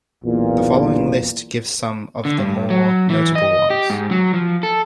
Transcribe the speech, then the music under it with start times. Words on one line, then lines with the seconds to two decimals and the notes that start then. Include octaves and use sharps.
The following list gives some of the more notable ones.
0.25 B1 E2 A#2
2.25 D3
2.38 G2
2.70 F#3
3.10 E3
3.35 D#5
3.70 G4
3.90 G#2
4.11 F#3
4.34 F3
4.63 A4